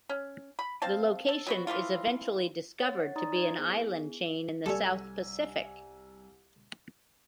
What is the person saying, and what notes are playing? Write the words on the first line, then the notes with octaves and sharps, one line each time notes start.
The location is eventually discovered to be an island chain in the South Pacific.
C#4
B5
C4 F5 A5
A4
F#3 B3 F#4
E3 F3 A3 F4
C#5 F#5 A6
D#4 D5 A#5 C6 D#6 A6
C5 G#6
B3 E4 G#4
C2 G3 G4 A4 C#5 G#5 E6